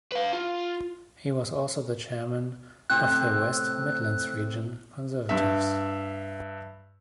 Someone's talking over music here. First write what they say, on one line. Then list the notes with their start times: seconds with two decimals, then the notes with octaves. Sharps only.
He was also the Chairman of the West Midlands Region Conservatives.
0.12 B4 F5
0.33 F4
2.90 A2 C3 C4 F#6
5.29 G2 E5